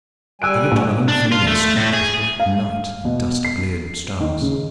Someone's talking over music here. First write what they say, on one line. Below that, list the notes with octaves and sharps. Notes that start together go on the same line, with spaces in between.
I looked on an unfamiliar street of black night and dust-bleared stars.
G3 G#5 E6 F#6 D7
A#1
D4
F4
A3
A2
G#4
F5
B2
C7
D#3
C#3